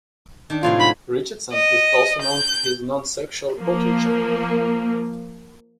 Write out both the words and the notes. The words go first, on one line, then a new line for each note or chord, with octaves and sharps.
Richardson is also known for his nonsexual portraiture.
D#3 D4
A2 C3 G#3 F4
F#3 B5
D#5
G6
F3 A#3